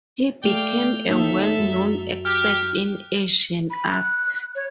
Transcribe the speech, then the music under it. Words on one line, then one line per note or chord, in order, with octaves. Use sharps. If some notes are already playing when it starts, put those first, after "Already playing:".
He became a well-known expert in Asian art.
A3 D5 F5 G5 F7 G7
D#2 D#4 A4 E5
F#2
G4 F6 F#6
B5
F#6
C#5